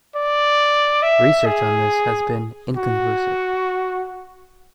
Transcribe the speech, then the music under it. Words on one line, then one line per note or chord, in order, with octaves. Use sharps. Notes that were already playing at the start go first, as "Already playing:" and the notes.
Research on this has been inconclusive.
D5
E5
G#4
F#4